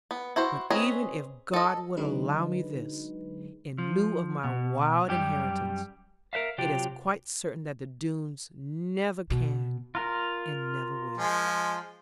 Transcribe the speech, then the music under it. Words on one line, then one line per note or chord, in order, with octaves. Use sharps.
But even if God would allow me this, in lieu of my wild inheritance, it is quite certain that the Doones never can and never will.'
B3
E4 F#4 C5
C4 C#4 G#4 B4 D#5
A4 D#5
D3 F#3 G#3 D#4 G#4 B4
F3
B2
F#2 G3 G4
A#4 C5 E5 F5
C3 F#3 F4 G4 G5
B2
F4 A#4
F3 G#3